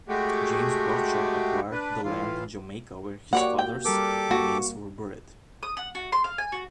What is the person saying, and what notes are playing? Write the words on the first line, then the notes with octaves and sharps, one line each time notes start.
James Bradshaw acquired the land in Jamaica where his father's remains were buried.
G#3 A3 F#4 G4
D4 B4
A2 E3 F4
A#3 F#4 G4 C#5 D5 F#5
G5
G3 G4 A4 A#4 D6
A#3 F#4
D#6
F#5
F#4
C6
F5
G#5
F#4